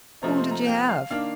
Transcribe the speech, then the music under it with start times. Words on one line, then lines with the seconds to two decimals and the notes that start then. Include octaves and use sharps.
Whom did you have?
0.22 C3 F3 A3 C4 D#4 A#5
0.37 C6
0.51 A#5
0.67 G5
0.89 F5
1.10 D#3 A#3 D4 F5